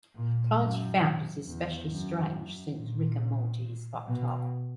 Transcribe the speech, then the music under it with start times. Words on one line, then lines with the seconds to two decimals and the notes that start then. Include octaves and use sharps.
Plante found it especially strange since "Rick and Morty" is "fucked up".
0.16 A#2
0.59 F#2
1.46 E2
1.90 F#2
2.76 A#2
4.07 B2